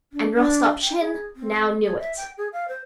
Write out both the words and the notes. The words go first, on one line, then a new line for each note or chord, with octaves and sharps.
And Rostopchin now knew it.
D4
D4
G5
G#4
C4
G#4
E5
G5
G#4
F5
C5